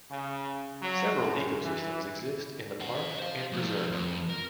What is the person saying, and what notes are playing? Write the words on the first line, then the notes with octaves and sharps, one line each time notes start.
Several ecosystems exist in the park and preserve.
C#3
F#3
F#2
E3
D#5 F#5
C5 F5
F3 A3
F2
A#4